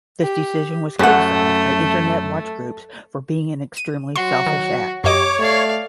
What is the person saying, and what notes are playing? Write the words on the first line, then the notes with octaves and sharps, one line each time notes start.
This decision was criticized by internet watch groups for being an extremely selfish act.
G4
F#2 A3 F#5
D#7
F#3 F#4 C6
D#3
F#2 G4 C#5 D#5 D6
A3 D5 F5